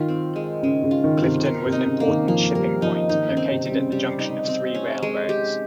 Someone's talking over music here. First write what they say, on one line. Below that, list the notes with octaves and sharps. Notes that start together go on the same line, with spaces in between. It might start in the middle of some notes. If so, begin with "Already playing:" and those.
Clifton was an important shipping point located at the junction of three railroads.
Already playing: D#3 F4
C4
G#3
C#3 G#3
C#3
F4
D#3
C4
C3
A#4
C3
D#4
C#3
A#3
D#3
F3 A#3
G3 A#4
F3 D#4
D#3 D#4
C#3
C4
C3
G3
C#3
G3
D#4
C4
C#4
G#3
G4